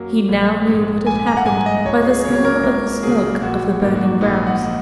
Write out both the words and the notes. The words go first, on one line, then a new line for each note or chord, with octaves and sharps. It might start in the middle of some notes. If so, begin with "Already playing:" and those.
He now knew what had happened by the smell of the smoke of the burning grass.
Already playing: F#2 F#3 A#3
A#1
G#2 G#3
A#1 G#5
A#5
F#5
G#2 G#3 G#5
D#5
C#2 C#5
G#4
C#3 F#3 A#3 C#5
C#5
A#4
C#2 A#4
C#3 F#3 A#3 G#4
A#1 F#4
G#2 D#3 A#3
F#4
A#1 D#4
F#5
D#3 A#3